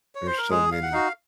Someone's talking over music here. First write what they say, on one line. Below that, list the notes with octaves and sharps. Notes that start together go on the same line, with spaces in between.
There's so many.
C#5
C5
A#4
G#3 G#4
F5
F#5
D#4 F#4 F5